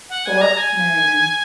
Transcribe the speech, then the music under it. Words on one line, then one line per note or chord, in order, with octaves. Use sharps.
Thorpe Merriman.
F#5
G#5
A#5
G#5